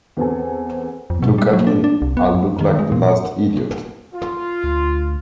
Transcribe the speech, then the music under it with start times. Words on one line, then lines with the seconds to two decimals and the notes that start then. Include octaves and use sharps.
Look at me, I look like the last idiot!
0.17 E2 B3 C4 A4 G#5
1.10 F2
1.22 B2
1.38 G3
1.53 F#3
1.67 D4
1.84 D4
2.02 C2
2.17 B3
2.34 F#2
2.61 D#3
2.79 G#3
2.92 A#2
4.14 F4
4.64 D2